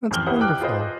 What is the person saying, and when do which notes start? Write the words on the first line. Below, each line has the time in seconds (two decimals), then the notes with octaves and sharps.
That's wonderful.
0.11 A1 F2 C4 F6 G7
0.26 E4 G4 B4 C5 F#5 D#6
0.41 G5 D6 F#6
0.61 F4 G#4 B4 C5 D#5